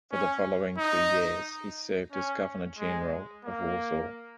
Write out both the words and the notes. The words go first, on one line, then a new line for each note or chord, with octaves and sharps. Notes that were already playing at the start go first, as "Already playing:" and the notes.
For the following two years he served as Governor-general of Warsaw.
C#4
D#4
C#4
G#3
A#3